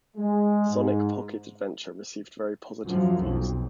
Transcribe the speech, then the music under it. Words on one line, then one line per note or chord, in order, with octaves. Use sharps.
"Sonic Pocket Adventure" received very positive reviews.
G#3
G#2
F#2 F3 F#3
B1 F2